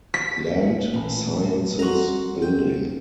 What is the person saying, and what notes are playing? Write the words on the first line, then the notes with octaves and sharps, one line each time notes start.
Land Sciences Building.
B6
A1 A#2 B5
G3 F#4 F#5 A#5 C6
G5